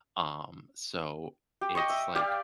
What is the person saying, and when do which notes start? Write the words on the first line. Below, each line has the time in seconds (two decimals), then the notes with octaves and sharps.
Um, so it's like
1.61 G4
1.75 G4 D#5 C#6
1.90 E5
2.15 G4 D5 F5